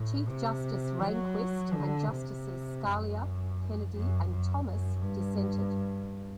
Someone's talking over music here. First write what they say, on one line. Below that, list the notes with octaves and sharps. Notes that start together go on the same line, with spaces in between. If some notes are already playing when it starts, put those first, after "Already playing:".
Chief Justice Rehnquist and Justices Scalia, Kennedy, and Thomas dissented.
Already playing: A2
C3
F#3
D3
C3
F#2
F#2
F#2
F#2
G2